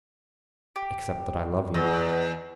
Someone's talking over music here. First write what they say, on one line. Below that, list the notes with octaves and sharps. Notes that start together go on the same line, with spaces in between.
"Except that I love you."
G4
E2 D#5